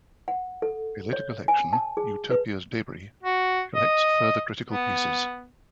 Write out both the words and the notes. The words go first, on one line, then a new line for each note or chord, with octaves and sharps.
A later collection, "Utopia's Debris", collects further critical pieces.
F#5
A4
C#5
G#5
A5
G#4
B4
F#4
D#5
B3